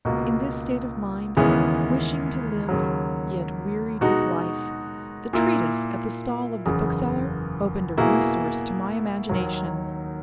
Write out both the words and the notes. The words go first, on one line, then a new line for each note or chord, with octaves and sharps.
In this state of mind, wishing to live, yet wearied with life, the treatise at the stall of the bookseller opened a resource to my imagination.
C#2 B2 A#3
D#2 C#3 E3 G#3 B3
D#2 C#3 F#3
B2 G#3 D#4 F#4
A#2 A#3 E4
F#1 E2 C#3
B2 A#3 E4 G#4
D#2 D#3 F#3